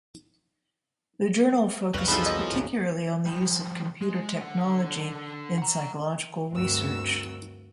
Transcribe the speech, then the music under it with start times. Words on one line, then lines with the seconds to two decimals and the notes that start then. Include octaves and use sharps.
The journal focuses particularly on the use of computer technology in psychological research.
1.94 C2 F2 F#3 G3 F#4 B4 F5
2.08 E2 F3 F#3 D#4 A4 B5
2.26 D#5
2.52 A1 D2 G2
3.26 F3 G3
4.01 G#3
4.40 D3 F#5
5.58 F#5 A#5
6.51 D2 G2 C4 F#4 A#4 E6